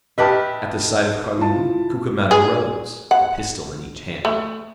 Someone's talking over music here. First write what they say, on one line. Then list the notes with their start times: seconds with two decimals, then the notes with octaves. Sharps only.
At the sight of Carlini, Cucumetto rose, a pistol in each hand.
0.18 G4 B4 D#5 E5 A5 F6
1.37 E4 F4 A5
2.31 G#4
3.11 F#5
4.25 A3